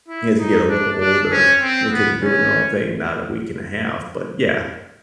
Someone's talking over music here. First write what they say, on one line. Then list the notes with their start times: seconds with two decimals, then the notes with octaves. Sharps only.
As you get a little older, and the kids are doing their own thing, not a week and a half, but, yeah.
0.08 E4
0.39 D#4
0.69 D4
1.00 D4
1.31 C#4
1.61 C4
1.91 B3
2.22 C#4